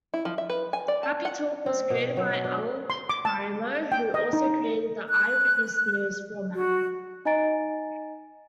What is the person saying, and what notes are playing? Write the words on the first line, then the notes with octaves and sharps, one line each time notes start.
Happy Talk was created by Al Primo, who also created the "Eyewitness News" format.
E4
F3
E5
B4
G#5
D5
A5
F#5
C4
B2
F#3
D4
C6
D6
A5
G5
D#5
D#4
F#6
F#4
D#4 D#5 G#5 A#5 A6 D7